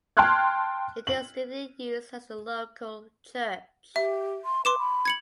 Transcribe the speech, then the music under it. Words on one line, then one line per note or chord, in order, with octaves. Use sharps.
It is still in use as the local church.
G5 A5 C6 F6 F#6 G#6
F#7
G4 E5
C6
B4 C6 D6 E7
B5
G#6 C#7 F#7